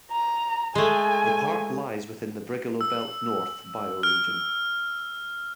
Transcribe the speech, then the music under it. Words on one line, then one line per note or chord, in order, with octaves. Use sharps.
The park lies within the Brigalow Belt North bioregion.
A#5
G#3 A3 G#5
E6
F6